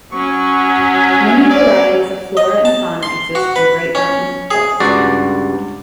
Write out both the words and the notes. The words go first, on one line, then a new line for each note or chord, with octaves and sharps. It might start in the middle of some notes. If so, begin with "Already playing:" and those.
Many varieties of flora and fauna exist in Great Mountain Forest.
F#3 C#4 C#6
D5
D#5
A5
C6
F#4
B4
C#4
G#4
C#2 G2 F#4 D5